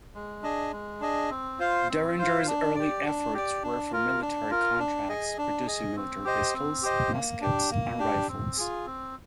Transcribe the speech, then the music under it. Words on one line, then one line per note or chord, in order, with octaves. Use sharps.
Deringer's early efforts were for military contracts, producing military pistols, muskets and rifles.
G#3
D4 G#4 D#5
G#3
D4 G#4 D#5
C4
F4 C5 F5
C4
F4 C5 F5
D4
G4 D5
D4
G4 D5
D4
F4 A#4
D4
F4 A#4
D4
G#4 D#5
D4
G#4 D#5
C4
G4 C5 D#5
C4
G4 C5 D#5
A#3
D4 G4
A#3
D4 G4
C4
F4 G#4
C4